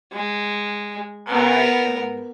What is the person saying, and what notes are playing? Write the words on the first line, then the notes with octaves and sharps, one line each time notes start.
I am
G#3
B3 A#4